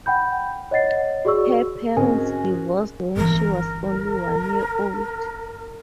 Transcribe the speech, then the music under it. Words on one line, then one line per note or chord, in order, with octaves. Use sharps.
Her parents divorced when she was only one year old.
F#5 G5 B5 G6
C#5 D#5 F#5 A6 C7
F#4 G#4 D5 C#6 E6
G#2 D3 G#3 C4 C#4 F#4 A#4 G#5
G1 E3 A#4